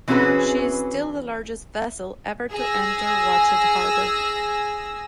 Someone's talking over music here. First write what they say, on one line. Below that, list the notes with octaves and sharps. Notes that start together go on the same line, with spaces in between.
She is still the largest vessel ever to enter Watchet harbour.
E3 C4 C#4 F#4 G#4 B4
G#4 G#5 E6 A#6